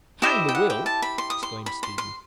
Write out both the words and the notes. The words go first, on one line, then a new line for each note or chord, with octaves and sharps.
"Hang the will!" exclaimed Stephen.
E4 G4 C5 D#5 E5
G5
F#5
G5
A5
B5
C6
D#6
C6
B5
C6
C6